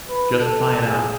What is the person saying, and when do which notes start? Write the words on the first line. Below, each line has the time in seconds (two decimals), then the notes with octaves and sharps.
Just tie it up!
0.09 B4
0.39 A4
0.86 G#4